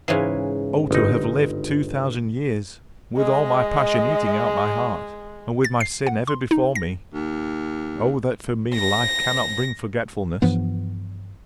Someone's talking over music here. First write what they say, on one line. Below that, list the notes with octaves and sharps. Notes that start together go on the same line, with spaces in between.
Oh! to have lived two thousand years, with all my passion eating out my heart, and with my sin ever before me. Oh, that for me life cannot bring forgetfulness!
G#2 C#3 E3 F5 G#5
G1 D#4
G#3 D#5
A6
C7
F#5
C6
D#4
A#6
D#2
A#6
G2 E3 F3 B3